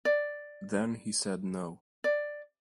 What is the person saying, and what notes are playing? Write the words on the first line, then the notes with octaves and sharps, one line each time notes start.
Then he said no.
D5
D5